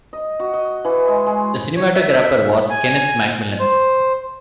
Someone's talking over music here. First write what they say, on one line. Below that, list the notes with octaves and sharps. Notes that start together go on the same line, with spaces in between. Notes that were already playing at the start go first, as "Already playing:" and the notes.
The cinematographer was Kenneth McMillan.
D#5
F#4
D#5
E3
G#3
G#3
C#5
E5
G#5
C5